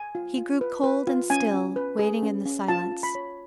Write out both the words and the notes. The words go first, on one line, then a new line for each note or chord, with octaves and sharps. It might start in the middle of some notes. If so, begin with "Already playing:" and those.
He grew cold and still, waiting in the silence.
Already playing: G#5
F4
F4
B4
B4
F4
C#4 G#5
C#4
B4
G#4
C#4
C#4
F4 A5
F4
B5
C#5